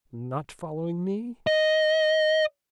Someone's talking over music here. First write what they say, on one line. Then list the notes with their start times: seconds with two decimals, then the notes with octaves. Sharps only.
Not following me?
1.47 D#5